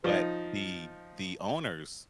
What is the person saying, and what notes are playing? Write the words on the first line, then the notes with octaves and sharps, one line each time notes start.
but the the owners
F3 D#4